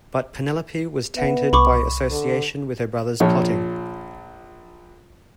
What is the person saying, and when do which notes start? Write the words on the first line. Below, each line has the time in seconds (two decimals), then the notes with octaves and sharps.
But Penelope was tainted by association with her brother's plotting.
1.17 B3 E5 F#5
1.53 C2 B5 C#6 D6
2.11 D3
3.20 A#1 A#2 F3 C#5